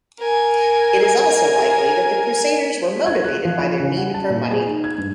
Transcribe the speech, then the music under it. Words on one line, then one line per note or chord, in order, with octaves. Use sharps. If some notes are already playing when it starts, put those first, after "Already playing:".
It is also likely that the crusaders were motivated by their need for money.
A#4 G#5
G#6
F#6
F3
F4
C#3
F#5
A5
A#2
G#4
D#4
G#6
G2